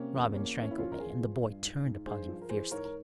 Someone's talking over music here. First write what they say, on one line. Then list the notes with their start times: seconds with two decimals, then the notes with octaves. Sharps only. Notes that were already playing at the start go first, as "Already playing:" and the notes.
Robin shrank away, and the boy turned upon him fiercely.
Already playing: C3 A#3 C#4
0.14 E2
0.35 E3 A#3 C#4
0.56 E3
0.63 C#4
0.71 E4
0.78 F3 C#4 F4
0.92 A#4
0.99 E2 F4 G#4
1.21 F3
1.42 G2
1.64 G#2
1.85 G#2
2.06 G2 G#4 C5
2.29 F3
2.42 A#4
2.49 E3 G#4 C5
2.71 G#2 A#4 C#5
2.85 A#4